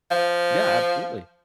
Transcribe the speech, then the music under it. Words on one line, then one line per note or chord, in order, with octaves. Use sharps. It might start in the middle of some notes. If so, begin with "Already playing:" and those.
Yeah, absolutely.
F3